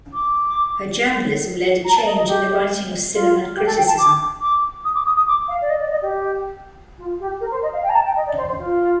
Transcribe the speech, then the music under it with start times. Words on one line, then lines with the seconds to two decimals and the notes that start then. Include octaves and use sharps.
Her journalism led a change in the writing of cinema criticism.
0.13 D6
1.84 A#5
1.95 A5
2.05 D#5
2.17 D#5
2.27 G4
3.13 F4
3.55 G4
3.66 A4
3.77 G5
3.87 A5
3.98 D6
4.41 D6
4.84 D#6
4.94 D6
5.05 D#6
5.16 D#6
5.27 D6
5.48 F5
5.61 D5
5.69 D#5
5.79 D5
5.90 D#5
6.02 G4
6.97 F4
7.19 G4
7.40 A#4
7.51 C5
7.62 D#5
7.73 F5
7.83 G5
7.89 A#5
7.94 A5
8.05 G5
8.16 D#5
8.26 D5
8.37 C5
8.47 C5
8.58 F4